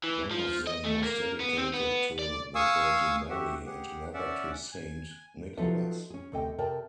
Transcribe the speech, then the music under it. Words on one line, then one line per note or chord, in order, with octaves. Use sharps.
One of them was dedicated to the Virgin Mary, and another to Saint Nicholas.
E3
F3
D#5
A3
A#3
B3
C4
B3
D5
F5 G#5 C#6 D#6 E6
F#4 G4 E5 F#5
G4 G#4 F#5
C#4 D5 E5 F#5
G#5
F3 F#3 B3 D#4 A4 E5
C#4 G#4
D2 C3 A4 D#5 G5
C3 A#4 D5 G5 A5